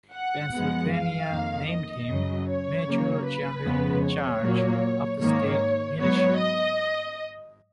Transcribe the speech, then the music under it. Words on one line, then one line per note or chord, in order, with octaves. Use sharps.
Pennsylvania named him major general in charge of the state militia.
F#5
F#2 F3 G#3 B3
F5
F2 D#3 A#3
D#5
F#2 C#3 F#3
C#5
C#3 F#3 A#3
B4
F2 C#3 G#3 B3
C#5
A#2 F#3 A#3
G#2 D#3 A#3 C#5
G#2 F#3 B3 C#5
D#5